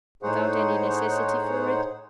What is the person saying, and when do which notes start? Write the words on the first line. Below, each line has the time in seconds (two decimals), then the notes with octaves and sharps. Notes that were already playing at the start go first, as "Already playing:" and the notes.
"Without any necessity for it?"
0.23 A2 D#4 G#4 C5 C#5 F#5